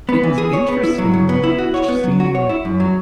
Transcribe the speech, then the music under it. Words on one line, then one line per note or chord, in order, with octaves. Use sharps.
it was interesting sh seeing
B3
E3
G#4
C#5
B3
E4
F#3
C#3
B3
E4
F#4
C#5
B3
F#3
F#4
C#5
E4
F#2
F#3